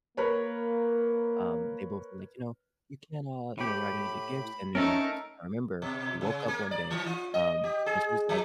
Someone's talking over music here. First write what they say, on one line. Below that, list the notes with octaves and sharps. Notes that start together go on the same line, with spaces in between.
um, they both were like, you know, "We can't all" you know, "we're not gonna get gifts," and then I remember we woke up one day, um, and she was like
A#3 A#4 B4 C#5
A2 G4 B5
A3 C#4 D#4 A4 A#4
B2
C#3
A#3
D5
E3
F4
D#5
G4
G#4
F3